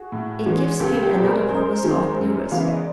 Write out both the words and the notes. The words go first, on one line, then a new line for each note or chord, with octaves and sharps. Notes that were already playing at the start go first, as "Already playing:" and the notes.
It gives him another promise of "newness."
Already playing: F#4 G#4
A2
E3 G#3 C#4
C#2 G4 A4
G4 A4
B2 G3 C4
G#4 A#4
F#2 A#4 C5
D#3 G#3 C4
F#2
C#3 E3 G#3 B3 F5
E5
D#5
D5